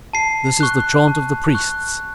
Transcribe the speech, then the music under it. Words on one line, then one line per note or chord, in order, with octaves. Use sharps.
This is the chaunt of the Priests.
A5 C7
C#6 F#6
A5
C#6 F#6